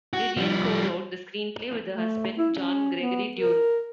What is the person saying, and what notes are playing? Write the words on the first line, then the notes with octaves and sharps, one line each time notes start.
Didion co-wrote the screenplay with her husband, John Gregory Dunne.
F#4
F3 G3
A3
E4
C#4
B3
A#4